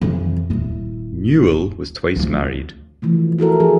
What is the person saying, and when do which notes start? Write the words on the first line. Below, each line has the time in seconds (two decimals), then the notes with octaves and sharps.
Newell was twice married.
0.01 F2 E3
0.50 D#1 E4
2.16 D2 F3
3.02 E3 F3 A3
3.39 E4 F#4 A4 A#4
3.60 F3 G#4